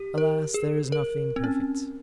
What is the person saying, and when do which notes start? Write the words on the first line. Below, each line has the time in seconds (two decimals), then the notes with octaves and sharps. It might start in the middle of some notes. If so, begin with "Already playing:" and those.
Alas, there is nothing perfect!
Already playing: G4
0.18 A#4
0.54 G#4
0.92 A#4
1.36 C4
1.44 C#4